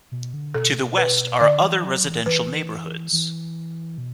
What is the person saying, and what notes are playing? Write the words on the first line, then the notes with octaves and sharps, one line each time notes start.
To the west are other residential neighborhoods.
B2
D3
B2 A4
B4
D3 D5
E3
F#3
E3
E3 B4
E3
B2